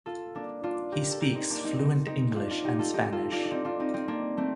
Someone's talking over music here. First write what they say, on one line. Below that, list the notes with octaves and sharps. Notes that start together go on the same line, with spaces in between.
He speaks fluent English and Spanish.
F4 A4
A#3 D4
D4 F4
G4 A#4
A4
G4 A#4
C4 D#4
A#3 D4
C4 D#4
C4 D#4
C4 D#4
D4 F4
D4 F4
D#4 G4
F4 A4
D#4 G4
F4 A4
D4 F4
D4
C4 D#4
D4 F4
C4 D#4
C4 D#4
A#3 D4
A3 C4